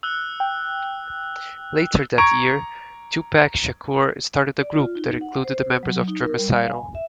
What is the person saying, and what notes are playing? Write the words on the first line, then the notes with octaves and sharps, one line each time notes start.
Later that year, Tupac Shakur started a group that included the members of Dramacydal.
E6 F#6 G7
G5
A#5 C#6 G#6 D7
D5
F4
D#4
F#5
C5
F#3
D#4
A#4
G3
F5
G#5
E5